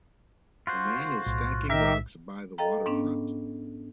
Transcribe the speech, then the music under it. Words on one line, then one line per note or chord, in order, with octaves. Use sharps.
A man is stacking rocks by the waterfront.
F4 F#4 C5
B1 A2
D#3 G4 A#4 E5
A4 D#5 F5 G5 A#5
G#2 B3 C#4 D4